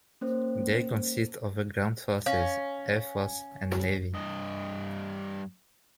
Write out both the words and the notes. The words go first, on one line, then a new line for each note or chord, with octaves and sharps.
They consist of the ground forces, air force, and navy.
A#3 C#4 C5
C#4 F5
G2 D#5